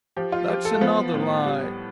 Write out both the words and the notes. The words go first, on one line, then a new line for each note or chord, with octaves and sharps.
That's another lie!
F3 G4
F4
F3 G4
A4
A3
F3 B3
A2
G3